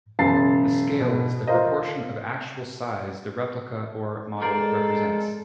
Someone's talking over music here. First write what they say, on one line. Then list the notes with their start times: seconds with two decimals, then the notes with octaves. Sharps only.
The 'scale' is the proportion of actual size the replica or model represents.
0.19 E1 F#2 C#3 A5 A6 C7
1.00 B2
1.47 F4 A#4 C5 D#5
4.42 G#3 A4 A#4 C5 D5